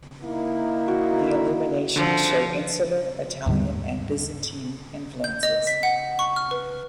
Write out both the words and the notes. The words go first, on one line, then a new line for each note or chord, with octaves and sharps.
The illuminations show Insular, Italian and Byzantine influences.
A#3 D#4 E4
F#4
D3 F3
D#2 G#2 D3 G3
G6
D#5
B6
F#5
C#6
F6
B4